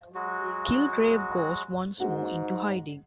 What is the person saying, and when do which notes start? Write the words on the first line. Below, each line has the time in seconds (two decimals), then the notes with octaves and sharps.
Killgrave goes once more into hiding.
0.15 F#3 G#3 F#4
2.00 G#2 G#3 F#4